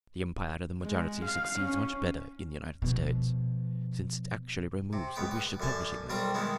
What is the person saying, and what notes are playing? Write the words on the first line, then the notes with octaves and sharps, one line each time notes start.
The empire of the majority succeeds much better in the United States, since it actually removes the wish of publishing them.
G#3
F5
C#4
B2 F3
C3
C#2 B3 G5
B4
F#2 D3 G#5 A5
B1 G3 C4 A#4 A#5
D#3 G#3 B3 E4